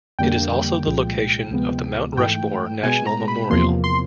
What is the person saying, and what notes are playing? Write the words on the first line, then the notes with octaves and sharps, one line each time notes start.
It is also the location of the Mount Rushmore National Memorial.
F2 D3 G3 A#3 G5
C2 A#2 F3 G#3
D2 C3 F3 G#3 B3
G#2 E3 A3 G5
B2 G#3 B3 G#5
A#5
B5
E2 C3 F3 A#3 C6
C6